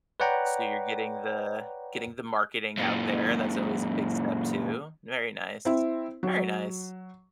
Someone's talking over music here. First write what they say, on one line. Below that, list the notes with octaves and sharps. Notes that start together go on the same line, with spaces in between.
So, you're getting the getting the marketing out there. That's always a big step too. Very nice, very nice.
B4 C#5 D5 F#5 G5 A#5
F#2 A#2
C4 E4
F#3